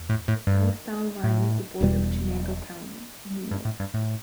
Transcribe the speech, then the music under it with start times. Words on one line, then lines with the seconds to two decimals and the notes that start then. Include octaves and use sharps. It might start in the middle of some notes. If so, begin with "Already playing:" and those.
The south town line is the border of Chenango County, New York.
Already playing: E2
0.09 A2
0.28 A2
0.47 G2
1.24 A2
1.81 E1 E2 B2 G3
3.51 G2
3.65 A2
3.80 G2
3.94 A2